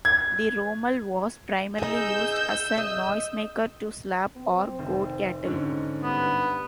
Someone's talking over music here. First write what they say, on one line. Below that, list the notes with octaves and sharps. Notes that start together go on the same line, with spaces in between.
The "romal" was primarily used as a noisemaker to slap or goad cattle.
G#6
D#4 G#4 E6 G6
D#5
C4
F1 D#3 C5
G#2 D3 C#4
G2 B3